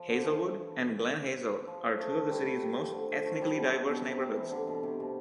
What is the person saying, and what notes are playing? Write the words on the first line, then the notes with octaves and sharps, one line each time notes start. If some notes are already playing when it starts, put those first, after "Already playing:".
Hazelwood and Glen Hazel are two of the city's most ethnically-diverse neighborhoods.
Already playing: F3
D3
E3
F3
A3
G3
G3
G3
F3
D3
F3
A3
G3
B2
B2
B2
C3
C3
E3
D3
B2
C3
B2